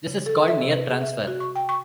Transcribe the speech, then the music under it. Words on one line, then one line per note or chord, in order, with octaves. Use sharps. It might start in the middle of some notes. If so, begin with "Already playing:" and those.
This is called near transfer.
C#3
A4
E5
C3
B4
G#4
E5
F#4
C#6
G5
C#6